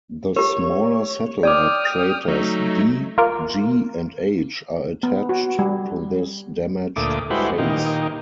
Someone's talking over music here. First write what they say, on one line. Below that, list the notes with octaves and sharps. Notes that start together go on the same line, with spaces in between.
The smaller satellite craters D, G, and H are attached to this damaged face.
G4 A#4 C#5
D5 G5 D6 D#6 F6
F#3 A3 D#4
F4 A#4 D6
B3
F#4
G3
D2 A#2 A3 D6 D#6
G3 G#3 E4 F#4 B4 C5
A#2 D#3 D#4 G4